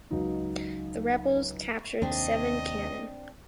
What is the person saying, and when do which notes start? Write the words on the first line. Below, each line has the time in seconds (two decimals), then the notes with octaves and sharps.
The rebels captured seven cannon.
0.11 C#2 F#3 D#4
2.02 D#2 C3 C4 D4 D#5